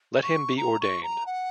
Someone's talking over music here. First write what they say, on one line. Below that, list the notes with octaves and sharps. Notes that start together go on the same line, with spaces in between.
Let him be ordained.
C#6
A#5
C#6
A#5
F#5